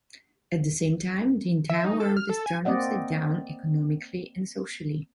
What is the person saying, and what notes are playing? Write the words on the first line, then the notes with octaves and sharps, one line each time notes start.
At the same time, the entire world is turned upside-down economically and socially.
E5
D#4
A4
F6
A4
G#5
A#3 C4 D5 D#5 F#5